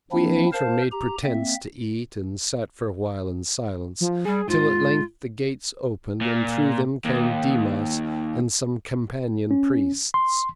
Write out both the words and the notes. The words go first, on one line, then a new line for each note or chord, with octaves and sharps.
We ate, or made pretence to eat, and sat for a while in silence, till at length the gates opened, and through them came Dimas and some companion priests.
F3 A#3 C4 D4 E4
A#4 C5 F5 A5
G4 A#5
A#3 C4 E5
F3
G3 G#4
G#2 F4
A#2
D#2
C#4
C6